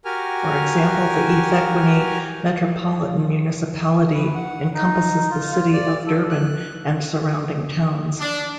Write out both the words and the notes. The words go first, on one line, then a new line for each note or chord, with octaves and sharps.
For example, the eThekwini Metropolitan Municipality encompasses the city of Durban and surrounding towns.
F#4 G4 A#4 G#5 F6
B4
F#5
D#4
F4
F4
D5
A4
F#6
D4